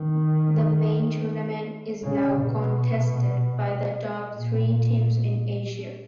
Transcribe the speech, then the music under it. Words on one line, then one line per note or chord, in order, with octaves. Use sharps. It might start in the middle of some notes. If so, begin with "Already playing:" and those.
The main tournament is now contested by the top three teams in Asia.
Already playing: D#3
C#3
B2
A#2